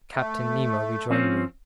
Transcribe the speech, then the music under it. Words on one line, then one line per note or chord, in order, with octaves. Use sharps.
Captain Nemo rejoined me.
A3
F3 C4 C#4